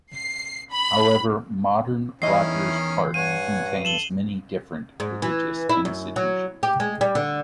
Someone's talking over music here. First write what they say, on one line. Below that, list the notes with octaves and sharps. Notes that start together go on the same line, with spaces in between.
However, modern Rogers Park contains many different religious institutions.
C7
B5
E2 D#3 C#4 E4 D#5 C7
G2 C#5 F#5 G#5 D#7
A4 E7 F#7 G7
G#2
E3
E4
F#2
F#3
G4
G#3
G3
D3